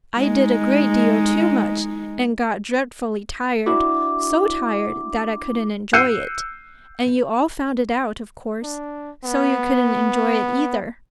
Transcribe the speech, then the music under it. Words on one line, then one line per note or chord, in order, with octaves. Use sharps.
I did a great deal too much and got dreadfully tired, so tired that I couldn't enjoy it, and you all found it out of course, so you couldn't enjoy it either.
G#3 D#4
D4 E4 F#4 D6
E6 F#6 G6 C7 C#7 D#7
D4
B3